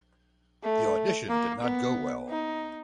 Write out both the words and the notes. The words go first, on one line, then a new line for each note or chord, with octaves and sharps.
The audition did not go well.
A3
A#3
B3
D#4